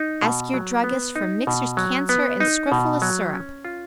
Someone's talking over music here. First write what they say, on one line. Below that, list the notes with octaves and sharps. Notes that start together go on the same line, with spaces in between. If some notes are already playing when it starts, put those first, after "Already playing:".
Ask your Druggist for MIXER'S CANCER & SCROFULA SYRUP.
Already playing: D#4
B2
F#3
B3
D#4
B2
F#3
B3
D#4
B2
F#3
C#4
F4